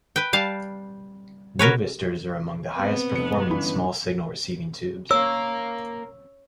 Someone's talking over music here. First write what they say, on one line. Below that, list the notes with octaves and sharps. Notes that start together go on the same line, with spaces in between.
Nuvistors are among the highest performing small signal receiving tubes.
B4 G5
G3 F5 A5
F#4 A#4 B4 C#5
B3 C4
F1 C#7
G1 E3 C#4 B5
A#3 A#4 C#5 E6